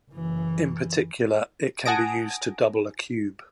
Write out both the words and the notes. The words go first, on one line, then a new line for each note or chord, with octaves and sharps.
In particular, it can be used to double a cube.
F#1 E3
F#5 G#5 A5 D#6 A#6 D7